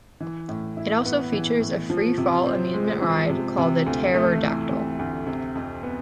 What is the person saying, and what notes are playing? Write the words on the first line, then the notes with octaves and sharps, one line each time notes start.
It also features a free-fall amusement ride called the Terror-Dactyl.
E3
A2
E4
B3
E3
A2
F3
C3
C4
G#3
F3
C3
C3
D2
A3
E3
C3
D2
C3
F2
B3